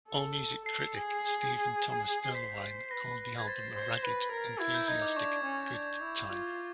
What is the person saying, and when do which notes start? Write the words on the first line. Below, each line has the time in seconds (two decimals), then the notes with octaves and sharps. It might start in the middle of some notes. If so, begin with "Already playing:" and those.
AllMusic critic Stephen Thomas Erlewine called the album a ragged, enthusiastic good time.
0.09 A4
0.66 A4 C7
0.94 G#4
2.24 C7
2.34 C5 B6
2.91 B4 A#6
3.38 G#6
3.47 C5 A6
3.75 C5
4.04 B4
4.32 A#4
4.59 E4 G#6
4.74 G6
4.88 D#4 G#6
5.02 D6
5.16 D4 C#6
5.44 C#4
5.73 D4
6.01 E4
6.29 F4